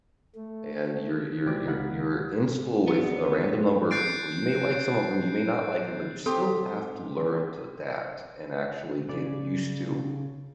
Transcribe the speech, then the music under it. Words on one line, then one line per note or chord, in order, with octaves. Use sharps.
And you're you're you're you're in school with a random number of people you may like some of them, you may not like 'em, but you still have to learn to adapt and actually get used to
A3
C#2 E3 C4 B4 D5 D6
C#2 D#4 F5 F#5 B5
D2 B3
F#6 G6 A6 C7 D7
C4 G4 A4 C6
C#3 D5